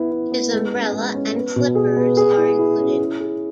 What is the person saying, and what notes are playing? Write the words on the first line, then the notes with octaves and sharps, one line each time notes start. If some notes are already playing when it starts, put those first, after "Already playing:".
His umbrella and slippers are included.
Already playing: B3 E4
E4
B3
G#3
C#4
G#3
C#4
B3
B2
G#4
B3
G#4
E4
E4
C#4
E4
G#4